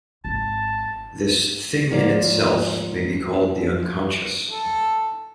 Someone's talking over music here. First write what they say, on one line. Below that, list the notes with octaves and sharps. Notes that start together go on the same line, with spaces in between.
This thing-in-itself may be called the Unconscious.
G#1 A5
D#2 G#2 F3 A#3 D5
A4